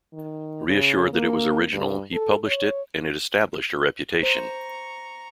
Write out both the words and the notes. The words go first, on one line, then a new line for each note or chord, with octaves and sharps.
Reassured that it was original, he published it and it established her reputation.
D#3
C#3
A#3
G2
A4
C#5
C5 A#5 C#6